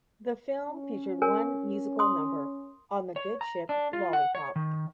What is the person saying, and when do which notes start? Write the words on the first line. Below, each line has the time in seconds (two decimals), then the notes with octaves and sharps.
The film featured one musical number, "On the Good Ship Lollipop".
0.69 C#4
1.22 A#4 C#5 G#5
1.99 C6 D#6
3.16 C#5
3.41 A#5
3.69 D4
3.93 F4
4.13 F#5
4.35 C#5
4.56 D#3